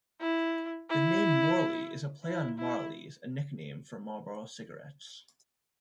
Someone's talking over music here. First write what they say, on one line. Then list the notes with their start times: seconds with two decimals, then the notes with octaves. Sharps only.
The name "Morley" is a play on "Marleys", a nickname for Marlboro cigarettes.
0.21 E4
0.90 E4
2.25 E4
2.58 E4